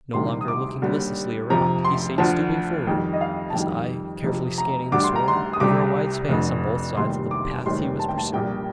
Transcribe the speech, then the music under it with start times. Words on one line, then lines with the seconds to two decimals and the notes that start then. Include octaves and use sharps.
No longer looking listlessly around, he sate stooping forward, his eye carefully scanning the sward, over a wide space on both sides of the path he was pursuing.
0.14 D2 C3 D#3 G3 C6
0.41 D#6
0.48 D6
0.82 D#2 D3 G3
1.50 F2 C3 F3 A#5
1.84 C6
2.18 D2 D3 F3 A5
2.87 F2 D#3 G3 G5
3.13 D#5
3.21 F5
3.50 A5
3.55 F2 D#3 G3 G5
4.24 F2 C3 F3
4.58 A#5
4.92 D2 D3 G3 D6
5.04 C6
5.16 A#5
5.28 C6
5.53 D#6
5.60 C2 C3 G3 D6
6.28 F1 F2 D3
6.97 F1 D#2 D#3 G3 C6
7.31 D6
7.66 F1 D#2 D#3 G3 C6
7.99 A5
8.09 G5
8.18 A5
8.33 A#1 A#2 G3 G5